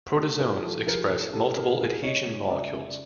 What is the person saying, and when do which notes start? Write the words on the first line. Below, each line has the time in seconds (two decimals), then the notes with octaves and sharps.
Protozoans express multiple adhesion molecules.
0.16 A3 G4 A4
0.39 A2 G#4 A#4
0.63 F3 G4 A4
0.86 F3 G#4 A#4
1.10 A2 G4 A4
1.33 A2 G4 A4
1.56 A2 G#4 A#4
1.80 A2 G#4 A#4
2.03 C#3 C#5 D#5
2.26 G#3
2.50 C#3 D5 E5
2.73 C#3